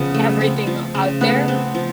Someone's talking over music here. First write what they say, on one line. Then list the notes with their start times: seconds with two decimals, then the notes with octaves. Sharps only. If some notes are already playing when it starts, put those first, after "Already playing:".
everything out there.
Already playing: C#3 F3 B3
0.14 A3
0.41 C4
0.67 F3
0.95 C#3
1.21 A3 B3
1.48 C4
1.75 F3